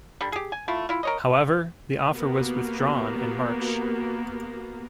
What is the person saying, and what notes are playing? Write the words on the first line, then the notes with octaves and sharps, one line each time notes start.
However, the offer was withdrawn in March.
D3 G3
G4 G#4
G#5
A3 E4 F4
E4 F4
A#4 C#5 D#5
A#3 B3 F#4 G4 A#4